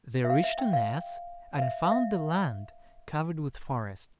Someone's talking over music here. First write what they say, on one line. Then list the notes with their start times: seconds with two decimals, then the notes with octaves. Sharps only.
They reached a ness, and found the land covered with forest.
0.24 E5
0.30 F5
0.44 E5
0.58 G5
0.73 F5
1.57 F5
1.62 E5
1.85 F5
1.91 E5